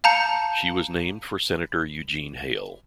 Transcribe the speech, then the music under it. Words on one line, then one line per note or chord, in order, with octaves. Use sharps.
She was named for Senator Eugene Hale.
F5 A5 A#5 G6 C#7